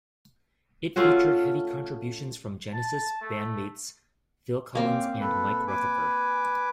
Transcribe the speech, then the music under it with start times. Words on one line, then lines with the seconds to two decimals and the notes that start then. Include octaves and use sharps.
It featured heavy contributions from Genesis bandmates Phil Collins and Mike Rutherford.
0.96 A3 C#4 F4 F#4
2.74 A5
3.21 A3
4.75 A#3 C4 C#4 D6
5.20 A4 B4
5.68 B4 G#5 D6